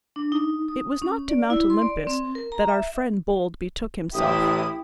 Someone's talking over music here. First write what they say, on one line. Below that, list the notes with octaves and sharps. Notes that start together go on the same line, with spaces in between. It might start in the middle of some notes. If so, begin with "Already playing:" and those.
It was not to Mount Olympus that our friend Bold betook himself.
D4
D#4
D#6
C#4
D5
E4
C6
D5
C4
A#4
A#5
E5
A1 E4 G4 D#6